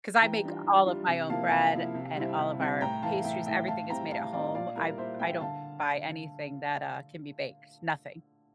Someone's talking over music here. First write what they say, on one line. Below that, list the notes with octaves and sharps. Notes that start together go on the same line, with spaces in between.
'cause I make all of my own bread and all of our pastries- everything is made at home. I I don't buy anything that, uh, can be baked, nothing,
E3 G5 A#5
G3 D4 F4
E3
G3 D4 F4
C3
F3 A#3 E4 F5 A5
C3 F5 A5
F3 A#3 E4
C3
G3 C4 E4
C3
G3 C4 E4
A2 G5 A#5
E3 A3 F5 A5
A2 E5 G5
E3 A3 E5 G5
A2 F5 A5
G3 C4 E4 G5 A#5
A2 F5 A5
G3 C4 E4 D5 F5
A#2 D5 F5
G3 A#3 E4 A#4
A#2 C5 E5
G3 A#3 E4 E5 G5
D3 F5 A5